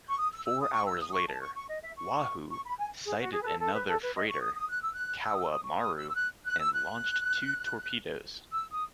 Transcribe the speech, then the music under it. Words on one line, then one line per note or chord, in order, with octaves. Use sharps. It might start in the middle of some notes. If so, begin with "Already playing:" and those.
Four hours later, "Wahoo" sighted another freighter, "Kowa Maru", and launched two torpedoes.
C#6
D#6
E6
E6
D#6
C#6
E6
D#6
C#6
A5
C#6
C#6
D#5
E5
C#6
C#6
B5
G#5
G#4
F#4
G#4
B4
A4
A4
B4
A4
B4
D#5
C#6
D#6
D#6
F#6
E6
F#6
E6
D#6
E6
D#6
C#6
D#6
E6
E6
F#6
F#6
E6
F#6
E6
D#6